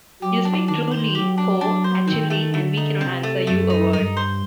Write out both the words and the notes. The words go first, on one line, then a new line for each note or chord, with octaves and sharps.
You speak truly, O Achilli, and we cannot answer you a word.
F#3 G4
D4
D#3 D4
C5
F#3 G4
D4
F#3 D4
C5
D#3 C4
A3
D3 A3
D#4
C3 C4
A3
F#2 A3
D#4
G2 D#4
C5